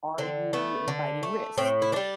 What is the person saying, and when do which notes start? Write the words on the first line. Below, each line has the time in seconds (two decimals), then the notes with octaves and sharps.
are you inviting risk?
0.18 D3 C4
0.53 A3 B3
0.88 D3
1.23 A3
1.57 A2 C4
1.82 E4
1.92 E3 G3 D4